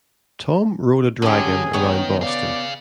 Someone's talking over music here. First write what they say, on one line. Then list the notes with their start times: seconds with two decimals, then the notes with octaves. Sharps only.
Tom rode a dragon around Boston.
1.22 D3 C#4 G4 G#4
1.73 D#3 B3 C#5
2.21 G#4 D5 F5